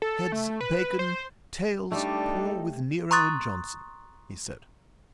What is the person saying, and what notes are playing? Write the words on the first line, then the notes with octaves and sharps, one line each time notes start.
"Heads--Bacon; tails--pool with Nero and Johnson," he said.
A4
A3
B4
C5
G3 A3 D4 D#4 A4
A#5 C6 C#6 D#6 F#6 A6